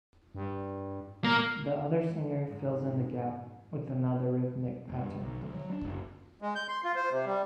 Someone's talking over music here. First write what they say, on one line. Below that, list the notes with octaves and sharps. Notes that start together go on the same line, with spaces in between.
The other singer fills in the gap with another rhythmic pattern.
G2
A#2 A#3
G#2
F1
G2
B1
D2
F#3
D4
F#1
G#3
G6
C6
F4
C5
C3
G3